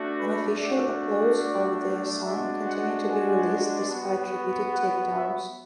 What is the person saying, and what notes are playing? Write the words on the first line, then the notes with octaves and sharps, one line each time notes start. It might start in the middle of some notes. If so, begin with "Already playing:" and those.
Unofficial uploads of the song continue to be released despite repeated takedowns.
Already playing: A3 D4 F#4
B4
A3 D4 F#4 D5
D5
G#3 D4 F#4 E5
F#5
G#5
B3 F#4
F#5
E5